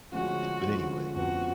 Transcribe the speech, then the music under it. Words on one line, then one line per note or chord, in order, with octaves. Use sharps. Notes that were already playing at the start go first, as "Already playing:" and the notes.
but anyway.
D3 F3 G#3 C#4 F4 F#4
D3 F3 G#3 C#4 F4
F2 F3 B3 F4 F#4